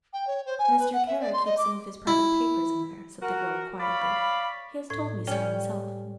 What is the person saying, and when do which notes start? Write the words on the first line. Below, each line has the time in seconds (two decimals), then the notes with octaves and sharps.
"Mr. Kara keeps some of his private papers in there," said the girl quietly, "he has told me so himself."
0.13 G5
0.27 C#5
0.46 C5
0.59 G#5
0.79 B4
0.93 F#5
1.07 E5
1.21 D5
1.33 C6
1.45 D#5
1.57 D6
2.07 E4
3.22 F#4 A#4
3.80 C#5 D5 F5 B5
4.90 A2 G#6
5.27 G3 C#4 C#5 G5